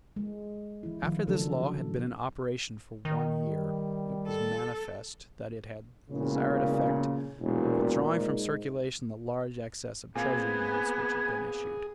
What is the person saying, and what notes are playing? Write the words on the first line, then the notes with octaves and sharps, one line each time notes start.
After this law had been in operation for one year, it was manifest that it had the desired effect of withdrawing from circulation the large excess of Treasury notes which had been issued.
G#3
E3 E4
D#3 F3 F4
C#3 F#3 A3 D4 A4
D#3
G3
A4
E1 A#2 C#3
E1 A#2
G#2
A#2 B3 C4 G#4 F5 G#5